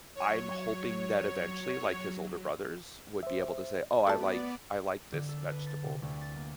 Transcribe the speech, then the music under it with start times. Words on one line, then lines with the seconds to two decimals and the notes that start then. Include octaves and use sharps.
I'm hoping that eventually, like, his older brothers would be able to say, "Oh, I like I like this vegetable,"
0.15 F#3 C#5
3.23 C5 E5
4.07 A3 B3 F#4 D5 A5
5.12 D3
5.29 A4
5.52 B4
5.66 A6
5.85 C3
6.02 D2
6.21 A6
6.35 A#3